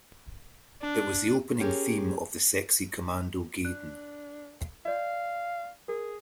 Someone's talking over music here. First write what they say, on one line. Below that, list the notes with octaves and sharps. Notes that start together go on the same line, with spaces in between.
It was the opening theme of the Sexy Commando Gaiden.
D4
C#4 G4 G#4 A#4
D4 F#6
D5 D#5 F5
G#4 A#4